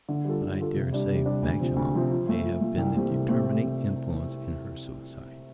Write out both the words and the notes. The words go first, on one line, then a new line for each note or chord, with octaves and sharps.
But I dare say Bagshawe may have been the determining influence in her suicide.
D3
G3 F4 A4
D3
G3 F4 A4
C3
G3 D4
C3
G3 D4
D2
C3 F3 C4
D2
C3 F3 C4
F3
A3 F4
F3
A3 F4
C2
C3 A3 C4 G4
C2
C3 A3 C4 G4